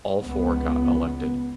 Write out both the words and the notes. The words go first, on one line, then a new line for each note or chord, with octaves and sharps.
All four got elected.
C#2 B3